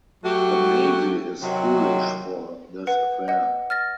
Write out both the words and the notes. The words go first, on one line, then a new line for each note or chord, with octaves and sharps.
The Navy is foolish for this affair.
F#3 A3 F#4 G4
C3 D#3 F#3
B4 F#5
D#5 F#5
F6 A6 A#6